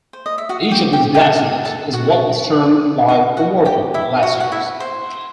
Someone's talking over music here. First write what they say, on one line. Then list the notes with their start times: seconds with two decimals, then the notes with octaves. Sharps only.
Each of these glaciers is what is termed 'live' or 'working' glaciers.
0.13 C5
0.26 D#5
0.38 E5
0.49 F#4 F#5
0.71 G4 G5
0.93 G4 G5
1.14 G4 G5
1.65 A4 A5
1.93 F#4 F#5
3.08 F#4 F#5
3.37 F#4 F#5
3.65 G4 G5
3.94 E4 E5
4.23 F#4 F#5
4.40 F#5
4.52 E4 E5
4.80 C5